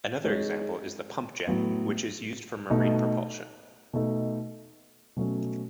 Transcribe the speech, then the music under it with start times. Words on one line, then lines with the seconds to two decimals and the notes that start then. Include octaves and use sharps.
Another example is the pump-jet, which is used for marine propulsion.
0.24 G#3 D#4 G#4 C#5
1.47 A2 F#3 B3
2.70 B2 A3 D#4
3.93 B2 A3 D#4 A4
5.16 B2 F#3 A3 C#4